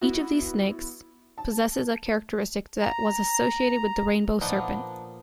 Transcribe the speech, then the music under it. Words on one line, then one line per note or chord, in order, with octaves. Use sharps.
Each of these snakes possesses a characteristic that was associated with the Rainbow Serpent.
B3 E4 F#4
A5
A#5
A#2 F3 B3 D4 D#4